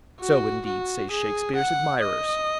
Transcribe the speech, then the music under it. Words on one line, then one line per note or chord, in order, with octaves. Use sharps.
So, indeed, say Shakespeare's admirers.
F#4
F#4
G#4
F#5
D#5